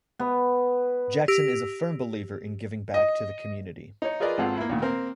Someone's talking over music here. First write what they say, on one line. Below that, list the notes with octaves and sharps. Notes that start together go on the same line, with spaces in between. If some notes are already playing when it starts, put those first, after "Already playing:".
Jackson is a firm believer in giving back to the community.
B3
G4 E6 A#6 D7
D#5
D#4 C#5
F4 G#4 A#4 B4 D5 D#5
G#1 C4 F4 A4 F#5
A#3 E4
D2 A#2 D#3
A#3 C4 A#4